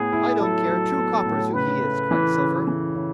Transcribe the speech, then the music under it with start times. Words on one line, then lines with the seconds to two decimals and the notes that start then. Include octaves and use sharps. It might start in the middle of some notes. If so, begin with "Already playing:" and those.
"I don't care two coppers who he is," cried Silver.
Already playing: A2 B3 E4 G#4
0.13 E4
0.41 F#3 A4
0.69 F#3
0.96 B3
1.26 A2
1.53 C#3 B4
1.83 A3
2.11 E3
2.39 C#3
2.67 E3
2.95 C#3